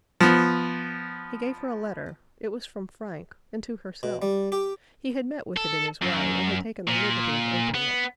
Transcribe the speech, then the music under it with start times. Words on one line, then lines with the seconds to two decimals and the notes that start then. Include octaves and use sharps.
He gave her a letter, it was from Frank, and to herself; he had met with it in his way, and had taken the liberty of opening it.
0.21 F3 B3
4.03 B2
4.22 G3
4.52 G4
5.57 A4
6.02 F#2
6.87 A#2
7.75 B3